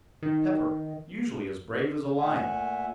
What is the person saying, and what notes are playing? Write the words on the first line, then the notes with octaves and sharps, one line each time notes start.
Pepper, usually as brave as a lion!
D#3
A#2 A3 E5 F#5 G#5